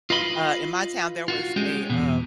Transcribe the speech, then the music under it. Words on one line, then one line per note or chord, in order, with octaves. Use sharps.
uh, in my town there was a, uh,
F4 B4 D#5 F5 B5 C6
F4 F#4
G#3 C#4 G4
E2 B2